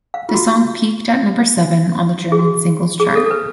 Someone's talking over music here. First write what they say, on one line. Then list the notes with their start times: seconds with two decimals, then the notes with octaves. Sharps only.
The song peaked at number seven on the German Singles Chart.
0.14 F5
0.29 F4
0.34 F#4
0.55 F#4
2.32 G#4
2.39 F#4
3.00 G#4
3.16 A4
3.26 A4
3.31 B4